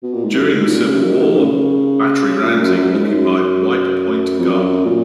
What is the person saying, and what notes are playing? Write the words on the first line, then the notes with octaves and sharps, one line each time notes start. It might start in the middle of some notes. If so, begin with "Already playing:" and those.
During the Civil War, Battery Ramsay occupied White Point Garden.
B2
A#2
G#2
F#2
G#2
A#2
C#3
D#3
C#3
A#2
F#2
F#2
G#2
F#2
F2
F#2
A#2